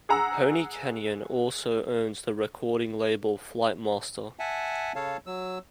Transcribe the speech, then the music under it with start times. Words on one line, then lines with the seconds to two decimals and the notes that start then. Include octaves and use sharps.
Pony Canyon also owns the recording label Flight Master.
0.09 G#4 F#5 A#5 E6
4.39 E5 F#5 G#5 A5
4.95 C#3 A4 C#5 F5 A5
5.26 F#3 E6